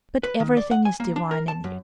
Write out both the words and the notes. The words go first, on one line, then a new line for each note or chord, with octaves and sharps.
But everything is divine in you....
B4
D#3
D5
F#5
G#5
A#3
D4
A#4
A5
F#2